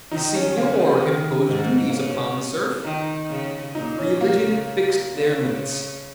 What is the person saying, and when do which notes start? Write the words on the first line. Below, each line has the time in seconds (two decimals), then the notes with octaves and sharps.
The seignior imposed duties upon the serf; religion fixed their limits.
0.12 D#3 D#4
0.35 C#4
0.57 C#3 A#3
0.80 F3
1.02 D#3
1.48 G#2
1.89 A#3
1.93 C#3 C#4
2.84 D#3 D#4
3.29 C#3
3.75 A#2 D#4
3.98 C#4
4.20 C#3 A#3
5.12 C#3